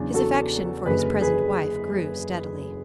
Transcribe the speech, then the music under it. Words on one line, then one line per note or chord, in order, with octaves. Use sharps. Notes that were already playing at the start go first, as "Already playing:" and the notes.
His affection for his present wife grew steadily.
Already playing: E2 C#3 F#3 D4
F#4 A4
F#1 F#2 D3 G#4 B4
G#4 B4